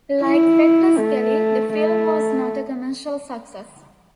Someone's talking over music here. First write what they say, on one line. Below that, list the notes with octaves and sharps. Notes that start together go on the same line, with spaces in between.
Like "Reckless Kelly", the film was not a commercial success.
E4
A3
A3